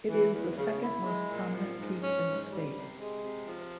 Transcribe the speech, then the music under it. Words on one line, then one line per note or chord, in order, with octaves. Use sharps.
It is the second most prominent peak in the state.
E3
E2
C#3
E4
G#3
A#2
F3
G#2
C#4
G#2
G3
C3
G#3
C3
F3